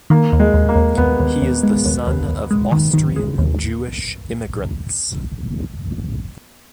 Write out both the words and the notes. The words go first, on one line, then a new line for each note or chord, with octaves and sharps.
He is the son of Austrian Jewish immigrants.
D#3 A#3
D#2
G#3
D#2
A#3
D#2
D#2 B3
D#2
D#2
G#3
D#2
D#2
D#2
G#3
D#3
D#3
G#3
D#2